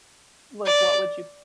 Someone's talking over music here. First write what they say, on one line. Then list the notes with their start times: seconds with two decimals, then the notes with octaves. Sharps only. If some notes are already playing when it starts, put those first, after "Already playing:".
Like, what would you
0.66 D5